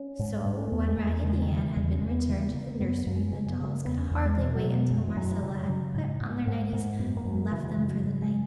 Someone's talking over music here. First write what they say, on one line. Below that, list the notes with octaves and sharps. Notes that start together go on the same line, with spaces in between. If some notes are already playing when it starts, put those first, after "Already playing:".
So when Raggedy Ann had been returned to the nursery the dolls could hardly wait until Marcella had put on their nighties and left them for the night.
Already playing: C#4
G#2
G#2
C#4
E2 B3
G#3
E2 A#3
C#3 G#3
D#3
C#3
E3
E2 E3
C#4
E2
B3
C#3 E3
A#3
C#3 A#3
B3
F#2 B3
B3
F#2 A#3
G#3
F#3
C#3 G#3
B3
C#3 G#3
A#3
E2 B3
C#4
E2
G#3
B2 E3
F#3
B2
B3
F#2 G#3
E3
F#2 F#3
E3
C#3 F#3
F#3
C#3 F#3
G#2
G#2
G#2
G#2
F#2 B3
A#3
F#2
F#3
C#3 E3
F#3
E3
C#3
F#3
G#2
G#3